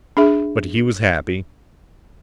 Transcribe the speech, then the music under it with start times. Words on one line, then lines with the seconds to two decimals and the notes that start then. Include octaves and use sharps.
But he was happy.
0.17 D4 G#4 E5